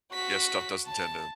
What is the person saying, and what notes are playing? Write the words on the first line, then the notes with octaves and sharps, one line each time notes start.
yeah, stuff doesn't tend to
F#4 B6
A5